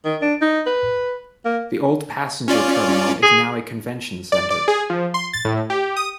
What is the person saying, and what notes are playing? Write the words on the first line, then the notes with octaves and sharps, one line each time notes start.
The old passenger terminal is now a convention centre.
D#3
D4
D#4
B4
A#3
C#4 F4 D5
G#4
D5
D5
G#4
F3
C6
A6
A2
G4
D#6